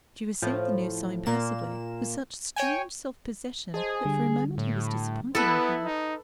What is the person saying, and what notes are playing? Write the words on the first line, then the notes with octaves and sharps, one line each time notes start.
She received the news so impassively, with such strange self-possession, that for a moment he was disappointed in her.
A2 F3
A#2 A#3 E7
C#5 G5 G#5
G#4 C5 D#5 A5
D3 G3
A2
B3 E4 A4 B4 D#6
D#4